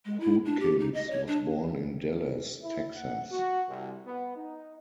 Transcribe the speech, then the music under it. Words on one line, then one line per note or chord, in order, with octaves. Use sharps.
Hootkins was born in Dallas, Texas.
G#3
E4
D4
G4
D#4
D#5
C#5
D4
E4
F#5
F#4
C2
B3
D#4